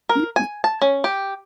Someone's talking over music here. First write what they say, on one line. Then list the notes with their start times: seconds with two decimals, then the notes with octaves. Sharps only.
Y y
0.09 A#4
0.36 G#5
0.64 A5
0.82 C#4
1.04 G4